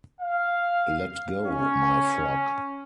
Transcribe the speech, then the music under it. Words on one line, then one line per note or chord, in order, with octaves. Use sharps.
Let go my frock!
F5
C#4